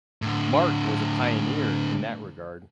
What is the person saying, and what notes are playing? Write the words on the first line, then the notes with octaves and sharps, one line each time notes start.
Mark was a pioneer in that regard.
A2 D3